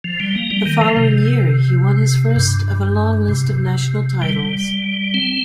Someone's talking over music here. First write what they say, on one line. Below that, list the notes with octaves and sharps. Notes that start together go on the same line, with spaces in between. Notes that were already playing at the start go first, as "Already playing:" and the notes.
The following year, he won his first of a long list of national titles.
F3
G3
A#3
G3
D#3
F3
C3
G2
C3
G3
C4